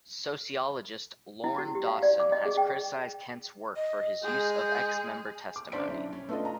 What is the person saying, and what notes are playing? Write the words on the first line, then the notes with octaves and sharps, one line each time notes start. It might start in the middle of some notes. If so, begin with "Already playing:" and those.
Sociologist Lorne Dawson has criticized Kent's work for his use of ex-member testimony.
E4
F#4
G4
F5
D5
D6
D#5
G#4
G5
D#5
G#3 G#4 G6
D6
D3 C#4 C5 D5 B6 D7
B1 D4 E4
C#4
A3 B3 D4 F4 A4 D#5
A#5